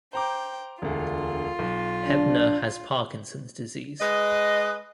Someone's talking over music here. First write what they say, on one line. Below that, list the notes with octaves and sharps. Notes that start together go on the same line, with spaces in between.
Hebner has Parkinson's disease.
C5 G5 A#5 D6
E1 D2 F4
B1
D4
G#3 B4 D#5